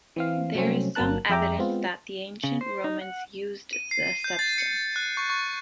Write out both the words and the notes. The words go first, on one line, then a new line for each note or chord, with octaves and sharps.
There is some evidence that the ancient Romans used the substance.
E3 C4 F5
C3 F#3 G3 A3 C4 C#4
G1 F#3 A#3 A#4 A5 F#6
F2 G#4 E5 G5 A#5 D6
G#3 B3 C4 F4
C#3
C5
D#4
F#5
D#7
C7
G6
A6
C#7
F#6
C#6
C#6